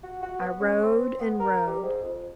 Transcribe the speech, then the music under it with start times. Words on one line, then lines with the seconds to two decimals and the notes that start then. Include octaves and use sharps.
I rode and rode.
0.03 F#4
0.23 F#4
0.40 B3
0.60 C#4
0.82 C4
1.20 B3
1.40 A#4
1.67 G3
1.83 G#2
2.02 F2